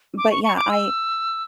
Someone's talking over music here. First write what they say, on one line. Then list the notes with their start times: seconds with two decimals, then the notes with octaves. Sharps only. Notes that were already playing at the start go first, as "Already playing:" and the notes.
but yeah I
0.18 D6
0.31 C#6
0.44 C#6
0.57 D6
0.70 E6